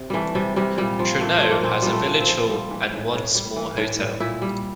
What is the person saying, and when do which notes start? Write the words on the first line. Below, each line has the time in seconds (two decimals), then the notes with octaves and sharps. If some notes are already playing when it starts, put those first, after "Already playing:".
Treknow has a village hall and one small hotel.
Already playing: C3
0.10 E3 G3 A3
0.35 C3 G3
0.56 C3 G3
0.78 A#2 G3
0.99 F3
1.21 A#2 A3
1.39 F3 A3
1.51 A#3
1.63 A#2 C4
1.82 F3 G3
1.92 A3
2.06 A#2
2.20 C4
2.28 F3
2.49 G3
2.71 E3
2.92 A2
3.14 A2
3.35 G3
3.56 E3
3.78 A2
3.99 A2
4.20 A#2 E4
4.42 G3